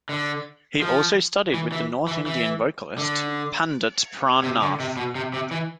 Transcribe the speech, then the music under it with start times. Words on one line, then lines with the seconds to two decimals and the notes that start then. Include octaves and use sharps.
He also studied with the North Indian vocalist Pandit Pran Nath.
0.09 D3
0.81 F3
1.54 E3
1.72 E3
2.08 E3
2.26 E3
2.98 D3
4.43 C3
4.62 D3
4.80 C3
4.97 B2
5.15 C3
5.34 C3
5.51 E3